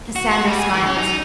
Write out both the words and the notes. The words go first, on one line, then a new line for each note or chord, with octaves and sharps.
Cassandra smiled.
F#4
F#4
G3
G#4
E3
C#4
D#4